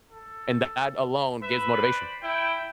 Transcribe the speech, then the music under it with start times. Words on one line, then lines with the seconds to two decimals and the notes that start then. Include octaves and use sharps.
And that alone gives motivation.
0.11 A4
1.43 B4 E5
1.75 C5 D5 B5
2.23 E4 G5